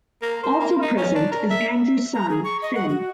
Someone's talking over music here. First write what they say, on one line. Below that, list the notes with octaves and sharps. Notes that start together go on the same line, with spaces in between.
Also present is Andrews' son, Finn.
A#3
C5
A#3
D#4
C#4
D4
A#4
E5
A#5
G#4
C#6
D#5
F#5
F#4